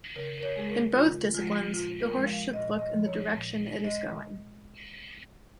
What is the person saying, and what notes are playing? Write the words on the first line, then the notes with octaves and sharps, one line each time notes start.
In both disciplines, the horse should look in the direction it is going.
C#3 A#4
A#4
C#5
G#3 G#4
A#4
C#3 F4
F3 G#3 F4
A#2 F4
A#4
F3 G#3
F5
A#2 D#5
D#5
F3 G#3
C#5
A#2
G#3
D#5